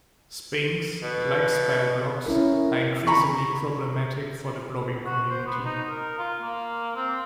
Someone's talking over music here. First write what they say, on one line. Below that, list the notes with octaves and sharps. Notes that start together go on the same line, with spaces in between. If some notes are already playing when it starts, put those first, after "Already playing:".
Spings, like spam blogs, are increasingly problematic for the blogging community.
B2
C#4 E4 A#4
A#5 B5 C#6
F#4
C5
B3
D#4
A#4
F4
A#3
C4